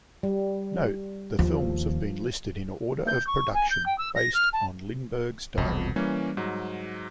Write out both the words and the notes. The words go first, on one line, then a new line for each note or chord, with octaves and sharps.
Note: The films have been listed in order of production, based on Lindberg's diary.
G3
D#2 F3
G6
C#6
G#5
G6
G5
E6
A#6
F6
A5
E1 C2 F2 B2
E3 G3 A#3 C#4
G#2 F#3